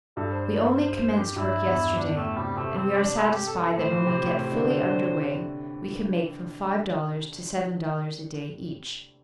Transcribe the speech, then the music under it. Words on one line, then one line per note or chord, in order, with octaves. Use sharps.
We only commenced work yesterday and we are satisfied that when we get fully under way we can make from five dollars to seven dollars a day each.
G2 A4
C5
C5
C5
C5
C5
G4
G2 E4
E2
E2 D4
A2 A3
C3 G3
C3 A3
C4
D4
E4
G4
A4
A4
A2 C5
E3
C3
A2
C3 C5
D3
D3
D3